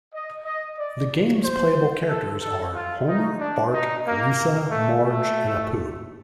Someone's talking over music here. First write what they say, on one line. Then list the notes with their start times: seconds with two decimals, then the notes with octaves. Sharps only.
The game's playable characters are Homer, Bart, Lisa, Marge, and Apu.
0.13 D#5
0.45 D#5
0.78 D5
1.43 C5
2.09 A4
2.41 A4
2.74 F4
3.07 D#4
3.39 D4
3.73 D#4
4.05 A#3
4.70 A3
5.03 A3